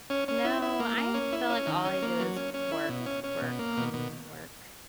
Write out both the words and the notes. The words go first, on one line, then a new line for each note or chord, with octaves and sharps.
No. I feel like all I do is work, work, clean, work,
C#4
C#4
E4
E4
A#3
A#3
C#4
E4
C#4
D#3
C#4
A#3
F#3
C#4
C#4
E4
B2
C#4
C#4
B2
A#3
B2
B2